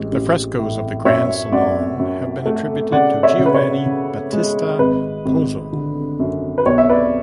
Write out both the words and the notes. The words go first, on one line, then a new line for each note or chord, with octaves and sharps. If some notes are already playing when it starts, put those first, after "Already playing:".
The frescoes of the Grand Salon have been attributed to Giovanni Battista Pozzo.
Already playing: A1 G#3
A1
A2
F#2 C#5 E5
F#2 D5 F#5
F#2
A3
C#3 D5 F#5
C#5 E5
C#3
B4
C#5
C#3
G#3
G#1 B4
G#1
D3
F#2
B4
B1 C#5
E5
B4 D5